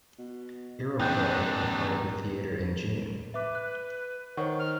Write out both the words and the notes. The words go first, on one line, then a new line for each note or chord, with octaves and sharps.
"Iroquois" departed the theatre in June.
B2
A1 E2 D4 D#4 G5 F#6 G6
B4 E5 D6
F#6
D#3 C5 C#5 F#5 C#6
F6